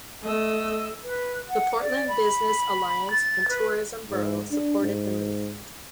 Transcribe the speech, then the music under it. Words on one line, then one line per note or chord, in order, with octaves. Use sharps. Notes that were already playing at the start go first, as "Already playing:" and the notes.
The Portland Business Alliance and tourism bureau supported the move.
A3 D#5 E6
B4
F#5
D5
B5
A6
B4
G#2
D4
G#2